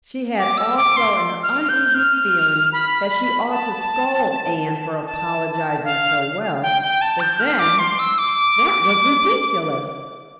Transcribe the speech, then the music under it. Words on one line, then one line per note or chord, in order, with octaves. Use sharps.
She had also an uneasy feeling that she ought to scold Anne for apologizing so well; but then, that was ridiculous!
D6
E6
D6
C6
F6
G6
F6
B5
A5
A5
F5
G5
G5
A5
G6
F6
D6
C6
E6
D6